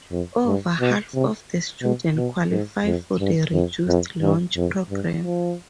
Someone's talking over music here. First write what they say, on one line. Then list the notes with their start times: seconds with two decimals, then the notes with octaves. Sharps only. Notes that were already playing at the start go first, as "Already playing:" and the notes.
Over half of the student qualify for the reduced lunch program.
0.11 F2
0.46 G2
0.80 B2
1.15 C3
1.82 B2
2.17 B2
2.51 G#2
2.85 F2
3.19 G2
3.53 F2
3.88 F2
4.22 G2
4.56 F2
4.90 G2
5.24 F3